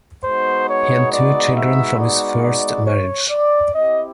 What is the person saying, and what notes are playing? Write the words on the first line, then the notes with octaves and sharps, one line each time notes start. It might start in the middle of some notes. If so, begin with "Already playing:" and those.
He had two children from his first marriage.
G#3 B3 D#4 F#4 C5
C#5
D5
E5
D5
D5
C#5
D5
C4 E4 G4 D#5